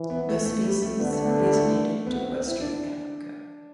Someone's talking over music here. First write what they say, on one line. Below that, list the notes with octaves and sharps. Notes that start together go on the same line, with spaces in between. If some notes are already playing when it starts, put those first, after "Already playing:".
The species is native to western Africa.
Already playing: E3
B3
A3
A3
G3
A3
D3 B3
A3
B3
G3
A3
B3
C4
C4
E4
D4